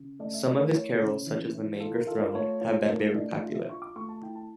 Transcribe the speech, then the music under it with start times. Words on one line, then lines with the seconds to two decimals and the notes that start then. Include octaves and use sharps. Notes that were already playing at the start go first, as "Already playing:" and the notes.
Some of his carols, such as "The Manger Throne", have been very popular.
Already playing: C#3
0.19 A3 D5
0.34 E5
0.46 A3 D5
0.60 A#4
0.73 E4 C#5
1.01 C#3
1.26 E3
1.54 E4
1.80 F4 A4
1.95 A#4
2.07 F4 A4
2.21 A#4
2.34 A3 C#5
2.61 F4 C#5
2.88 A3 A#4
3.15 D4 D5
3.41 F4 E5
3.55 E5
3.68 F4 C#6
3.82 D6
3.96 A3 C#6
4.09 A5
4.23 E4 G5
4.35 A5